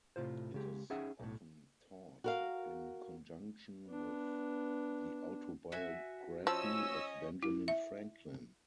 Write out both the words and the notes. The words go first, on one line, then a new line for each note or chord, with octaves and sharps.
It is often taught in conjunction with "The Autobiography of Benjamin Franklin".
A2 C3 F4 C5
C#3 G#3 G4
C#4 D#4 G#4 E5 F#5 G5
B1 A2
F#4 A#4 F5
B3 D4
F#4 E5 G#5
F3 C#4 D#5 E6
E4
E5